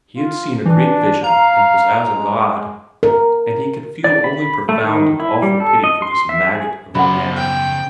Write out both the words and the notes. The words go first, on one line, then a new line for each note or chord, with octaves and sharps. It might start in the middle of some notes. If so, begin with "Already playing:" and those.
He had seen a great vision and was as a god, and he could feel only profound and awful pity for this maggot of a man.
F4
E3 D4
F5 A#5
G#3
A#4
D5
B5
A3
D#3
E4
G3
A4
D#5
C6
E5
G#4
F#2 C#3 C5 F#5 G#5 B5
G5